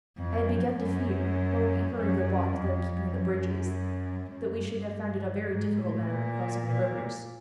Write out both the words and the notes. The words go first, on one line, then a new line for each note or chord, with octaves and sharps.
I had begun to fear, from what we heard of the watch they are keeping at the bridges, that we should have found it a very difficult matter crossing the rivers.
F2
F#2
F#2
F#2
F2
F#2
F#2
G2
G#2
A2
A#2
A#2